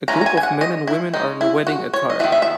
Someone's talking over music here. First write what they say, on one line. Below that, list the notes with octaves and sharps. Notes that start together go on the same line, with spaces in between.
A group of men and women are in wedding attire.
E3 G#3 C#4 A#5
A#5
G#5
G#5
F#5
D#5
E4
G#3 C#4 D#4
E4
F#4
C#5
D#5
D#3 F#3 B3 D#4 E5
E5
E5